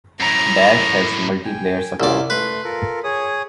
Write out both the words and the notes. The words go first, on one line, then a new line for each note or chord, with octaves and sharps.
"Dash" has multiplayer support.
F#2 A2 A#5
G5 G#5
C2 C#4 F4 D5 E6
A3 B4 C6
F4 A4 A#4
G#4 C#5 D#6